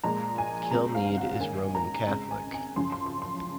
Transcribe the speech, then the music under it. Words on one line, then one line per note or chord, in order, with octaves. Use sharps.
Kilmeade is Roman Catholic.
A#2 F3 G#3 A#5
G#5
C#3 G#3 C4 A#5
F5
F#5
G#2 D#3 A#3 C#4 G#5
A#5
C#3 G#3 C4 A#5
G#5
G#5
F#2 C#3 F3 C6
C6
C6
C6